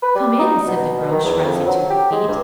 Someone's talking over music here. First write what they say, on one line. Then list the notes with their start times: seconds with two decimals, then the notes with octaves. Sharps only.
'Come in,' said the Groac'h, rising to her feet.
0.02 B4
0.15 G3
0.39 D#4
0.67 B2
1.11 D#3
1.24 E2
1.44 F2
1.67 F#3
1.89 G4
2.11 G#3
2.28 G2